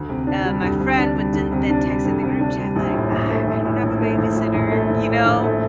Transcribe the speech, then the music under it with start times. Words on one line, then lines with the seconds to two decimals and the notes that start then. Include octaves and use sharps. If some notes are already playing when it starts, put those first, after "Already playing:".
uh, my friend would den then text in the group chat like, "Ah, I don't have a babysitter," you know,
Already playing: D2
0.09 C3
0.27 D4
0.45 G3
0.62 D2
0.80 C3
0.98 D4
1.16 G3
1.33 D2
1.52 C3
1.69 D4
1.87 G3
2.05 D2
2.23 C3
2.40 D4
2.58 G3
2.76 A#1
2.94 A2
3.11 A#1
3.30 A3
3.47 A#1
3.65 A2
3.83 A#1
4.01 A3
4.18 A#1
4.36 A2
4.54 A#1
4.72 A3
4.90 A#1
5.07 A2
5.25 A#1
5.43 A3